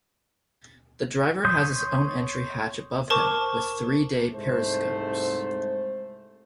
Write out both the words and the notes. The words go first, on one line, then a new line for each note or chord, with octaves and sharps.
The driver has his own entry hatch above him, with three day periscopes.
C#5 C6 D#6 G6
A#4 C5 A5 C#6 D6
C2 G#2 A3 C5